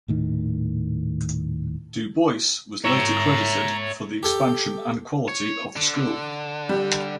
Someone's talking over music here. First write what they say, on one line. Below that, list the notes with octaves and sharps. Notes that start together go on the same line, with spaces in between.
Du Bois was later credited for the expansion and quality of the school.
D#1 A2 D#3
C#5 E5 A#5
G4 A4 G5
C#5
D3
G3